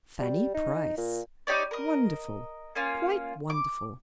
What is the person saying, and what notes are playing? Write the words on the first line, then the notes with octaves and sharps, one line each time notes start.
Fanny Price! wonderful, quite wonderful!
G3
D#4
A#2
D#4 G4 C#5 D5
A#4 D#5
A#3 C#4 F4
D6